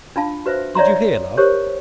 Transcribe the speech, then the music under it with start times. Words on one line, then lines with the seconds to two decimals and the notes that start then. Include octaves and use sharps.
Did you hear, love?
0.16 D4 F4 F5 A5
0.46 F#4 B4 C5 E5
0.75 C#5 D5 E5 A#5 C6
1.37 G4 A#4 C5 C#5